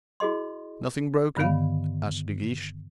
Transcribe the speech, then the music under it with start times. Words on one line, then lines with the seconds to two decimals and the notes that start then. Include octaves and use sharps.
"Nothing broken?" asked De Guiche.
0.20 E4 F#4 G#4 D#5 C6
1.37 G2 D3 D#3 B3 F5